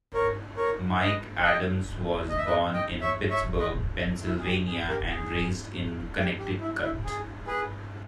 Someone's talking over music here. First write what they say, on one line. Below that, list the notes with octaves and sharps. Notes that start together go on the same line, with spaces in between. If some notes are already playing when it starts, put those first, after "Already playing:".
Mike Adams was born in Pittsburgh, Pennsylvania and raised in Connecticut.
A#4 C#5
A#4 C#5
B4 D#5
D#5 G5
D#5
E5
B4 D#5
D#5 G5
C#5 E5
C#5 E5
B4 D#5
E4
G#4
G4
G#4
G4 A#4
G#4
G4
G4
E4
E4
G#4
G#4 B4